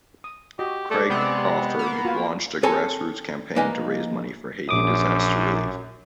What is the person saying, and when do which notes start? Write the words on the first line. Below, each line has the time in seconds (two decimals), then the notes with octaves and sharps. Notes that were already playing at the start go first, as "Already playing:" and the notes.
Craig Crawford launched a grass roots campaign to raise money for Haiti disaster relief.
0.24 D#6
0.59 F#4 G4 D#5
0.91 A3 D5
1.10 C3 G#3 B3 C4
1.79 A#3 B4
2.05 F4 F#4
2.63 C4 G#4 A4 C#5 G#5 B5
3.56 F3 A#3 D#4 B4 D#5 G#5
4.69 A#1 F#2 D6 D#6